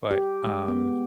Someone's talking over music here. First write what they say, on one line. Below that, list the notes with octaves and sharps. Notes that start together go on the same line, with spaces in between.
But, um
G4
G#3
B3